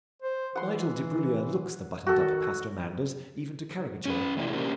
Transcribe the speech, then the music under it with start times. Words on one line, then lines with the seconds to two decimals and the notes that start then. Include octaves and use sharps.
Nigel Debrullier looks the buttoned-up Pastor Manders, even to caricature.
0.22 C5
0.55 E3 F#5 C6
2.06 D#3 F#4 A4
4.05 C#4 D4 B4
4.37 E2 A2 C3 F3 D4 E4
4.53 A#3 C#4 D4 G4 A#4 C5